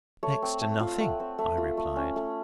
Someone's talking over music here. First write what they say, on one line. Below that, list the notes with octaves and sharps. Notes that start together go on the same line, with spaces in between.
"Next to nothing," I replied.
A3 C#5
C4
A3
F4
A3 F#5
C4
A3
F4
A3
C#4
A3